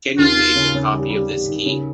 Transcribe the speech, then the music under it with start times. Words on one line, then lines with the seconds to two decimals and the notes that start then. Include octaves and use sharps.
Can you make a copy of this key?
0.18 D#2 F4
0.36 D#2
0.55 C#3
0.74 C#3
0.92 G3
1.10 G3
1.29 G3
1.48 D#2
1.66 C#3